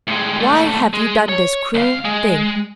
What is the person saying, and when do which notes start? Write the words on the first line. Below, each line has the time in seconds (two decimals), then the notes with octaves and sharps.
"Why have you done this cruel thing?"
0.07 A2 G#3
0.40 A#2 A3
0.93 G#3
1.29 C#5
1.74 C#2 F5
2.05 G#3